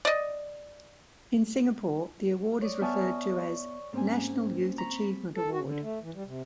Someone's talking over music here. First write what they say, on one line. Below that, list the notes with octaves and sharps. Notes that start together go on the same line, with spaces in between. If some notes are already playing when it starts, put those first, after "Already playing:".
In Singapore, the award is referred to as "National Youth Achievement Award".
D5 D#5
C#5 D5 D#6
B3 D5 E5 G#5 A5 C#6 D#6 F6
G#2 A#3 C4 C#4 G#5
A#5 B5 C#6
A4
F#4
D3
A3
E3
G3
C3